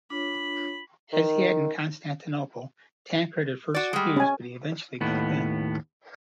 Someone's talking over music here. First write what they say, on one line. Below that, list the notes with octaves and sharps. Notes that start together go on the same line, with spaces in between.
As he had in Constantinople, Tancred at first refused, but he eventually gave in.
D4 F4 C#5 B5
D#3
F#4 D5
G3 G#3
C#4 G#5
D#2 A2 B3